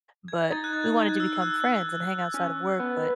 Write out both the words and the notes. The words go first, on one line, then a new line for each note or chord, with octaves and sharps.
but we wanted to become friends and hang outside of work, but
G#6
G#6
D#4 A6
F#6
G#6
F#6
E6
E6
F#6
C#4
B3